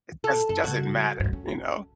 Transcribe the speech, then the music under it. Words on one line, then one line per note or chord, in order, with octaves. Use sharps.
It does doesn't matter, you know?
A4
F#2 A4
C#3 G3 F#4
D2 G2
C#4